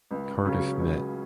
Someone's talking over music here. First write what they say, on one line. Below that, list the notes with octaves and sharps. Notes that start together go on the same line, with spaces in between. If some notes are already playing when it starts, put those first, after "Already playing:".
Cardiff Met.
C#2
C#3 F#3 C#4
C#2